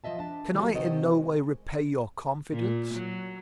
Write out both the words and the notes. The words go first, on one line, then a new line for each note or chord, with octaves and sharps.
Can I in no way repay your confidence?
F3 F#3 D#5 E5 A5
D4 A5
B2 E3 F#3 G3 A3 B3
C3 D#3 C4 F#4 C5 D#5
G#3
A#2
F#3